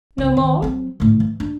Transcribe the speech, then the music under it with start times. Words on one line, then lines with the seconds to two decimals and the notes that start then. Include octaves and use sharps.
"No more?"
0.18 C#2
0.37 D#3
0.62 F#3 C4
1.00 A2 D3
1.20 E3
1.40 D4